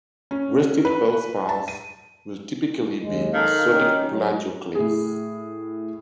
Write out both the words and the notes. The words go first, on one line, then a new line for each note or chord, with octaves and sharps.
Restite feldspars will typically be a sodic plagioclase.
C#4
B4
A5
D#7
D#2 G#3
D#3 A4 A#4 F5
C#4 D#4 G4
F#3
A2 G#4